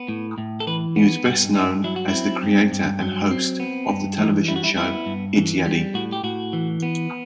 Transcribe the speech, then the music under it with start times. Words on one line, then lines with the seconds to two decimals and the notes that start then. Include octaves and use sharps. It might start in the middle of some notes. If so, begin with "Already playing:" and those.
He is best known as the creator and host of the television show "Ittyadi".
Already playing: B3
0.09 A2
0.38 A2
0.60 A4
0.67 E3 B4
0.96 B3
1.25 G2 F#4
1.55 G2 D#4
1.84 F#3 E4
1.96 F#4
2.08 E4
2.14 C4
2.43 G2
2.72 G2
3.01 F#3
3.31 C4
3.60 B3
3.89 G2
4.18 E3 D#4
4.48 G3 E4
4.56 F#4
4.64 E4
4.77 B3 E4
5.06 G2
5.36 E3
5.65 G3
5.94 A2 F#4
6.12 G4
6.24 A2 F#4
6.53 E3
6.83 B3